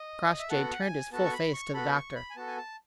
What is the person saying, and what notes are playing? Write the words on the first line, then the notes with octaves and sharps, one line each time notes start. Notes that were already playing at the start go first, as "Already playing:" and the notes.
Crossjay turned his full face to the doctor.
Already playing: D#5
E5
B3 F#4 A4 F#5
F#5
G#5
B3 F#4 A4 A5
C#6
B5
C#6
B3 F#4 A4 B5
C#6
B5
G#5
B3 F#4 A4 A5
G#5
A5